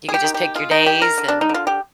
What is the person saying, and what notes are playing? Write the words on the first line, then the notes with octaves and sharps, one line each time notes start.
you could just pick your days and
G#4
G4
D#3
G4
G#3 F4
D#4
D#3 G4
A#4
D3
D4
D#4
D3
F4
G4